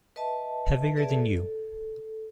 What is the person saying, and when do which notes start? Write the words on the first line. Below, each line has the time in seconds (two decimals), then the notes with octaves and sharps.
Heavier than you.
0.16 B4 D#5 E5 A5
0.96 G#4 B4 D5 E5 A5
1.10 A4